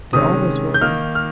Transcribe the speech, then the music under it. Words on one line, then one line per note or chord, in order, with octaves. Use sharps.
"There always will be."
C3 D#3 G#3 C#4 D#6
G6
D#3 A#3 D#4 F6
F6